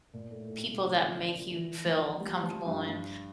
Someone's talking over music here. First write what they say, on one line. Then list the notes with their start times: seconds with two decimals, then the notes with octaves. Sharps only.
people that make you feel comfortable and
0.13 A#2
0.31 A2
0.48 A2
0.65 C3
0.82 D3
1.51 E3
1.85 F3
2.20 G3
2.43 F3
2.66 G2
2.88 G2